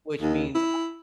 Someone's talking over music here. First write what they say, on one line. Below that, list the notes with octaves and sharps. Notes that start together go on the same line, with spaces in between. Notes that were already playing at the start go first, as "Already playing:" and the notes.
Which means,
D#2
E4